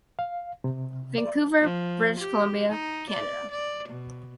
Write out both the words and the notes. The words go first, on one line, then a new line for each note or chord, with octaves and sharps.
Vancouver, British Columbia, Canada.
F5
C3
D5
F3
G4
D#4
D5
D5
B2